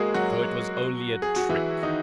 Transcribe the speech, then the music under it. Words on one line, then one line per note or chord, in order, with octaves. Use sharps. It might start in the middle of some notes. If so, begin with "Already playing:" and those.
So it was only a trick!
Already playing: G#3 A#3 F#4 G#4 A#4
F#3 F#4
G#4
F#4
E3 E4
D#3 D#4